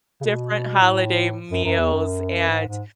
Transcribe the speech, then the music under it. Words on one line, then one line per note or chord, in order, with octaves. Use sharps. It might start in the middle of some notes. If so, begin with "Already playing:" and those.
different holiday meals, and
C#3
B2
A2
F#2
F#2
E2
F#2
G#2
G#2